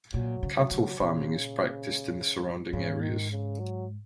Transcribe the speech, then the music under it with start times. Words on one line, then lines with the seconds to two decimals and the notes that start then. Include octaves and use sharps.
Cattle farming is practiced in the surrounding areas.
0.13 A#2 F#3
0.43 C#3
0.57 F#3
0.71 C#3
1.00 A#2 C#3
2.72 G#2 C#3
3.02 D#3
3.31 C#3
3.60 F#3